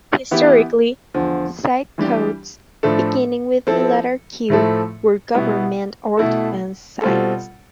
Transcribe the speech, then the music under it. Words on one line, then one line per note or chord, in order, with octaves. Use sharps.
Historically, site codes beginning with the letter Q were government or defence sites.
E3 B3 E4 G4
E2 D3 F3
E3 G3 D4 G4
A2 F3 A3 D4 A4
F3 C4 E4 A4
A2 F3 A3 E4 A4
B2 G3 B3 E4
B2 A3 E4 A4
B2 G3 C4 F4 A4